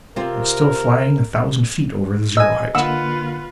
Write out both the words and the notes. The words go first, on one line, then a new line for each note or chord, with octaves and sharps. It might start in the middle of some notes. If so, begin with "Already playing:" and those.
I was still flying a thousand feet over the zero-height.
C3 C4 F4 A#4
D#5 G#5 E6
D3 A#3 F4 B4 F#5 E6